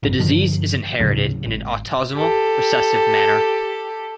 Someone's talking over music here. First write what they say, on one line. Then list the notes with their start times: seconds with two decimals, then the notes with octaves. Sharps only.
The disease is inherited in an autosomal recessive manner.
0.03 A1 F#2
0.19 G2 D3 D#3 F3
1.00 D2 A2 C#3 F#3
1.46 G#1
2.14 G4 A4